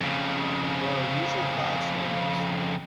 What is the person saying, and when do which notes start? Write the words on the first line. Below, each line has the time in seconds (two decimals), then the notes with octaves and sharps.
There are usually five stamens.
0.01 F2 C#3